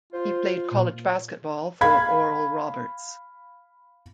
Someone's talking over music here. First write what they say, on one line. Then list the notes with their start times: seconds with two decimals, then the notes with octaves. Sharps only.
He played college basketball for Oral Roberts.
0.13 F4 C5
0.71 A#2
1.81 F5 B5 G#6